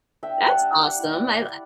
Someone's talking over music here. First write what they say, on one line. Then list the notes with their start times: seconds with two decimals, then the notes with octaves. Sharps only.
That's awesome. I li
0.23 D4 E5 G5
0.42 G3
0.48 F#5 A5
0.61 D4
0.73 D5 F#5
0.80 G3
0.98 E4
1.17 E4
1.36 E4